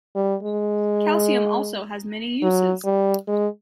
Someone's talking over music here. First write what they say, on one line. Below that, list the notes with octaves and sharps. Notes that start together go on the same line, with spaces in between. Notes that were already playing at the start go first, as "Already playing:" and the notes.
Calcium also has many uses.
G3
G#3
F#3
G3
G#3